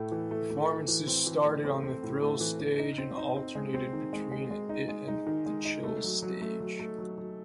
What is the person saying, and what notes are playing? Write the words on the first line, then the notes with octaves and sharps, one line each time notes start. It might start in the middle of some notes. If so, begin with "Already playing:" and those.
Performances started on the Thrills stage and alternated between it and the Chills stage.
Already playing: A2 A3
E3
A3
A3
E3
E3
C4
E3
A3
C4
C4
A2
A3
E3
E3
D#4
C4
D#4
C4
G#3
C4
D#3
G#3
G#3
G#3
D#4
G#3
D#4
D#3
G#3
D#4
A3
F#3
F#3
A3
F#3
A3
F#3
F#3